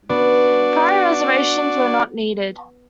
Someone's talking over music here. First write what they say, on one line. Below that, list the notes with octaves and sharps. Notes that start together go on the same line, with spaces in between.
Prior reservations were not needed.
B3 D4 F#4 D5